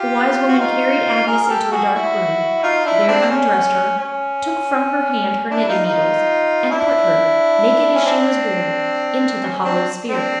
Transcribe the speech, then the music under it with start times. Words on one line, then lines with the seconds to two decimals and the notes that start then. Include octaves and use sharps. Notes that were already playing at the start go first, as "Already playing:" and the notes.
The wise woman carried Agnes into a dark room, there undressed her, took from her hand her knitting-needles, and put her, naked as she was born, into the hollow sphere.
Already playing: F4 G4
0.48 F#4
0.59 D#4 F4
1.27 G#4 A#4
1.50 G4 A4
1.72 F#4 G#4
1.95 E4 F#4
2.63 D#4 F4
2.85 D4 E4
3.07 C4 D4
3.30 C#4
3.99 C#4
5.51 D4 E4
5.68 D#4 F4
5.85 D#4 F4
6.70 D4 E4
7.95 C#4
8.05 C4 D4
9.41 C#4
9.57 C#4
9.64 C4 D4
10.09 C4 D4